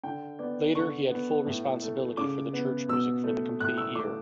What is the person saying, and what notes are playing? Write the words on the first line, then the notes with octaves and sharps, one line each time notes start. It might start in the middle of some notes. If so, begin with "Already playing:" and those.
Later he had full responsibility for the church music for the complete year.
D3 G5
B3 D5
D3 C#6
B3
A2
A3
C#3 D6
B3
B2 E6
A3
A2 F#6
E6
A3 D6